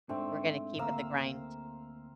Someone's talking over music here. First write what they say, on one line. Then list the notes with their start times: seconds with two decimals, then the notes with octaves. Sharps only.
we're gonna keep at the grind.
0.09 G#2 A3 C4 D4
0.79 D2 A#3 F5 A#5 E6